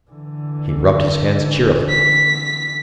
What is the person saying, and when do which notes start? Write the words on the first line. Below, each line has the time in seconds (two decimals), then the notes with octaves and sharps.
He rubbed his hands cheerily.
0.11 D3 E3
1.89 B6